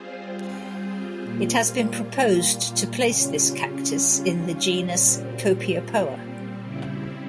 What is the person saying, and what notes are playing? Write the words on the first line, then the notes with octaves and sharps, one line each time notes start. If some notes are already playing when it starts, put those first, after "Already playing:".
It has been proposed to place this cactus in the genus "Copiapoa".
Already playing: G3 C4 F4 G#4 C5
A#2 G3 A#3 F4
C#3 G3 C#4 F4
A#2 G3 C4
C#3 G3 C4 E4